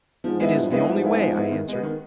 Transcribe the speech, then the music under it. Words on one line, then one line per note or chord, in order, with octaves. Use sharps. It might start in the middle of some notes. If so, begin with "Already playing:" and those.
"It is the only way," I answered.
G#2 F3
G#3 B3 E4
G2 F3
G#3 B3 E4
G#2 F3
G#3 B3 E4
F3
G#3 B3 E4
D#3
G#3 B3
D#3